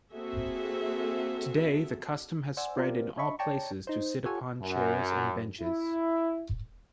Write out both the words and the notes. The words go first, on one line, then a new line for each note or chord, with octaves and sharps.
Today, the custom has spread in all places to sit upon chairs and benches.
A#3 C4 F#4 G#4 A4 E5
C5 D5 F#5 G#5 E6
B3 C4 D4 F4 G4 A#4
D4 C#5 D#5 E5 B5 C#6
C#5 D5 G5 A5 A#5 C#6
D#4 C5
F4 G4 A4 C#5 F#5 G#5
F#2
E4